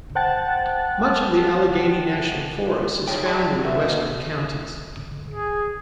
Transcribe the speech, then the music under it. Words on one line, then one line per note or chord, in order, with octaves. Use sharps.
Much of the Allegheny National Forest is found in the western counties.
C5 F#5 G5 A5 F#6 A6
F3 G3 D#4 G#4 C#5 G5
F#4 G#4 D5 A5 B5 C6
A#2 C#3 A#3 F#4 B4 E5
G#4